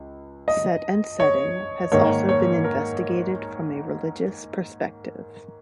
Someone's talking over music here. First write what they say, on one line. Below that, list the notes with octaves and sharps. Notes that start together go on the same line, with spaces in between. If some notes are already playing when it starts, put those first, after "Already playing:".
Set and setting has also been investigated from a religious perspective.
Already playing: C#2
D#5
C#5
G#2 D#3 A#3 C#5
C#5
A#4